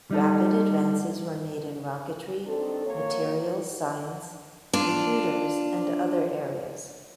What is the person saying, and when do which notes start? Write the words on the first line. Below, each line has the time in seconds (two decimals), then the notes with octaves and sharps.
Rapid advances were made in rocketry, materials science, computers and other areas.
0.11 G3 D#4 A4
2.46 D#3 C4 D4 A4
2.85 A#3 F#4 A#4 C#5
4.73 D4 F4